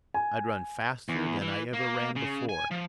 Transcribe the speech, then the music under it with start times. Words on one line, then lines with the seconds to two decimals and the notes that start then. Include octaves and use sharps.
I'd run faster than I ever ran before.
0.14 G#5
1.09 E2
1.42 E3
1.74 A#3
2.16 C#3
2.49 G#5
2.71 F3